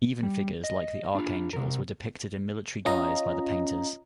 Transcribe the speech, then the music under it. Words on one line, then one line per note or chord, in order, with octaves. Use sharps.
Even figures like the archangels were depicted in military guise by the painters.
G3
D#5
D4 F4
C3 A#4
C#4 F4 D#5 A#5